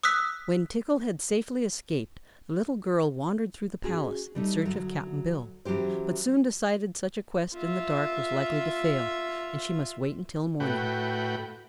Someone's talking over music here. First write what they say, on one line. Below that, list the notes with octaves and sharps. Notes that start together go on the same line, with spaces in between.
When Tiggle had safely escaped, the little girl wandered through the palace in search of Cap'n Bill, but soon decided such a quest in the dark was likely to fail and she must wait until morning.
D#6 E6 F#6 B6
C#4 F#4 G#4
G3 A3 D#4
D2 F#3
E3 F#3 C#4 G4 C5
F4 E5
A2 F#4 B4 G5